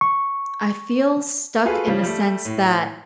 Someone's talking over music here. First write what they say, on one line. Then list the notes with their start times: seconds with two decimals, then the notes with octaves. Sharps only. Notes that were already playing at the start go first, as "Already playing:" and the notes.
I feel stuck in the sense that
0.01 C#6
1.65 F4 F#4 G#4 A4 B4
1.87 C#3 F3 G3
2.04 G3 A3
2.45 A2